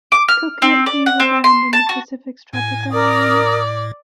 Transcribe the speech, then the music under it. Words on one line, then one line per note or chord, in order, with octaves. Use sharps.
Coconut trees abound in the Pacific's tropical islands.
D6
F6
C4
D5
F#5
C4
C6
A5
F#4
A2 G#5
A#4 D5 D#6